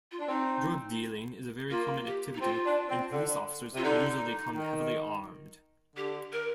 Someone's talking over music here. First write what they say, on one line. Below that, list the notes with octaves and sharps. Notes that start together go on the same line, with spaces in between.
Drug dealing is a very common activity and police officers usually come heavily armed.
F4
D4
C4 D#4
A#3 F4
G4
D#4
C4 F4
D4
C4
D3
C3 F4
D3 D#4
D#3
D3 G4
A#4